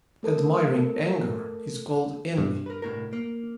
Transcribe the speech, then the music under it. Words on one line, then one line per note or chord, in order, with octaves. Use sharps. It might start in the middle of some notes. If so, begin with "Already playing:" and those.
Admiring anger is called envy.
A3 A4 A#4
G2
A#4 B4
C2 A2 A#4
A#3